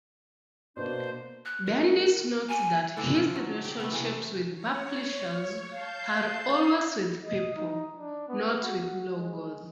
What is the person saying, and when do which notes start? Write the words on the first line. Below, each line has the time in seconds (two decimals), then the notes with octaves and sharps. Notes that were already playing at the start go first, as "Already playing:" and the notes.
Bendis notes that his relationships with publishers are always with people, not with logos.
0.77 B2 A#3 D4 C5
1.45 F#6
1.66 A#4
2.48 G#5
2.97 D3 E3 D4 A4
3.16 F3
3.36 F#3
3.65 G4
3.80 A3 B3
3.92 C3 E3
4.55 C#5
5.72 F5 A5 G6
7.24 D#5
7.56 D#4
7.97 D4
8.29 B3
8.63 F#4
9.14 G#3